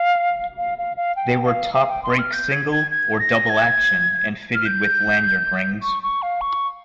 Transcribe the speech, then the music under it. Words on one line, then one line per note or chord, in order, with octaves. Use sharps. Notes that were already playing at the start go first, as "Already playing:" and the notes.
They were top-break single- or double-action, and fitted with lanyard rings.
Already playing: F5
F5
F5
F5
G5
F5
F5
G5
C6
F6
G6
G#6
G#6
G#6
A#6
G#6
F6
G6
C#6
C#6
F5
C#6